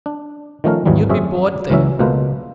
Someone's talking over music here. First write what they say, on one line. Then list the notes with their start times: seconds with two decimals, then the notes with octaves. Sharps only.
You'll be bored there.
0.06 D4
0.64 D#3 F3 A3 C#4 A#4
0.86 G#1 D#2 E3 F#3 G3
1.09 F#2 C4 G#4 C#5 E5
1.70 C#2 E3 F#3 C#4 E5
1.99 C#2 B2 A3 A#3 B4 C5